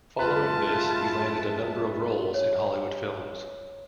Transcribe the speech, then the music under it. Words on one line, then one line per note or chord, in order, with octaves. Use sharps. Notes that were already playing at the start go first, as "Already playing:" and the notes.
Following this, he landed a number of roles in Hollywood films.
F#2 G#3 F4 B4 E5 A5
C#5